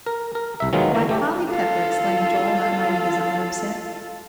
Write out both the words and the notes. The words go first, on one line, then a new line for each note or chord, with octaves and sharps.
"Why, Polly Pepper!" exclaimed Joel, not minding his own upset.
A#4
A#4
C2 E5
D#3 F#3 G#3 B3 F4
D3 E3 A#3 A#5
A3 G4
F4 A4